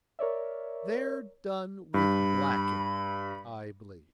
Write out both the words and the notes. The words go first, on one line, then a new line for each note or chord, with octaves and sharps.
'They're done with blacking, I believe.'
A#4 C#5 D5 E5
G2 B5